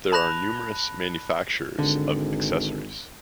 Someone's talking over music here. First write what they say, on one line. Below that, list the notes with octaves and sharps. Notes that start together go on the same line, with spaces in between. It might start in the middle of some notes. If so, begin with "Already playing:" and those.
There are numerous manufactures of accessories.
A5 B5 F#6 A#6 F7
G#1 D3